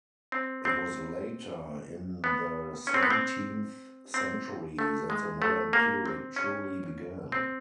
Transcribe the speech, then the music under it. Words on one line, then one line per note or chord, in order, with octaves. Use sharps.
It was later, in the seventeenth century, that the modern period truly began.
C4
C4
B3
C#4
C4
B3
C4
C4
A3
G#3
A3
A#3
C4
C#4
C4